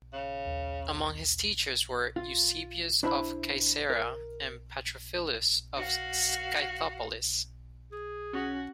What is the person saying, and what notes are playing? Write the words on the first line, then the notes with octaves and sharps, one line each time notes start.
Among his teachers were Eusebius of Caesarea and Patrophilus of Scythopolis.
C#3
D#2
F4
D4 E4 C5 E5 B5
A#4
F#4 F5
G#4
C#4 F#4